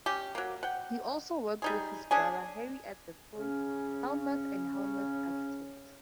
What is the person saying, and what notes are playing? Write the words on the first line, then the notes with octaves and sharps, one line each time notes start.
He also worked with his brother Harry at the firm Hellmuth and Hellmuth Architects.
C#4 G4
F#3 A#3
F#5 G5
G3 D#4 G#4
C#4 D4 G#4 G#5
C#3 C#4